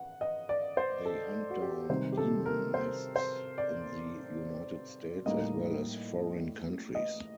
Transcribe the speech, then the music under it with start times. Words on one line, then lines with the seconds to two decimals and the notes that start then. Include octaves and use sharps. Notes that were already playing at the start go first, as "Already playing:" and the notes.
They hunt down demon nests in the United States, as well as foreign countries.
Already playing: F#5
0.21 D#5
0.49 D5
0.77 C5
1.05 A4
1.50 F#4
1.61 G4
1.90 C3 D#3 G3 C5
2.12 G4
2.17 A4
2.46 A#4
2.74 C5
3.16 C5
3.58 D5
5.26 A2 G3 A#3 D#4 D#5
6.95 D#5